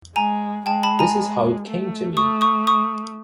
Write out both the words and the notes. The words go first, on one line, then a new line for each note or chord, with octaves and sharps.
This is how it came to me...
G#3 G#5 A#5
G#3 G5 A5
A5 B5
G#5 A#5
A3
A3 C#6 D#6
C#6 D#6
C#6 D#6